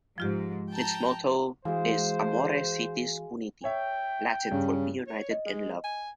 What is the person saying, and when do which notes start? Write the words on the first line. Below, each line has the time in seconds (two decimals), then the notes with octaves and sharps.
Its motto is "Amore Sitis Uniti", Latin for "Be United in Love".
0.18 G#2 F3 F4 G4
0.72 G5 A5 A#5
1.65 E3 G#3 F#4 C5 F5
3.64 C#5 E5 G5
4.51 G2 C#3
5.07 C#5
5.31 D#5
5.46 G#3
5.84 G#5